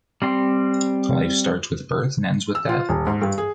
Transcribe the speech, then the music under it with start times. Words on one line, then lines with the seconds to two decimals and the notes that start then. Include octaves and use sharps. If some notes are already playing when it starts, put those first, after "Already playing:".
Life starts with birth and ends with death.
0.22 G3 C4 C6
2.55 E6
2.69 F4
2.89 D#1
3.07 G#2
3.22 G2
3.38 G#4